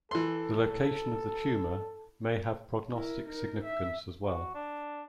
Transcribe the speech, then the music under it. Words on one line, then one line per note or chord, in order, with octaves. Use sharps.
The location of the tumor may have prognostic significance as well.
E3 A4 C6
E4 A#4
D#4 A#4
E5
F#4
D4